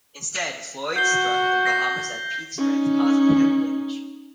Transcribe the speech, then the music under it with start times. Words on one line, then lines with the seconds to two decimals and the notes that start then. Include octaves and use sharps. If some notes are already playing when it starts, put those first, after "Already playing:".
Instead, Floyd struck The Bahamas at peak strength, causing heavy damage.
0.96 F#4 G6 C7 G7
1.66 A#6 C7
2.58 C#4 D#4